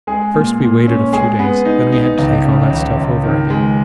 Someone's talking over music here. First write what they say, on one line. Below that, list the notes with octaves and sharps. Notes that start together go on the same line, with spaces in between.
First we waited a few days; then we had to take all that stuff over again.
G#3 G#4
A#2
A#2
C#4
G#3 G#4
B3
D#4
D#4
C#2
C#3
C#2
C#2
D#3
G#3